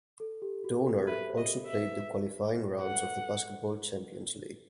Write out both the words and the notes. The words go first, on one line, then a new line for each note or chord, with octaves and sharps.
Donar also played the qualifying rounds of the Basketball Champions League.
A4
G4
F#4
A4
G4
B4 E5
C5
D#5
E5
B4
B4
A4 F#5